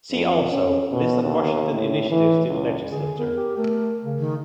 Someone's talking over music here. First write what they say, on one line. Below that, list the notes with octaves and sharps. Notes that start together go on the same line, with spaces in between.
See also List of Washington initiatives to the legislature.
F2
C#4
B2
D#2
A2
E3
C#2
D3 G#4
B3 A#4
G4
A3 A#4
C#3
D#3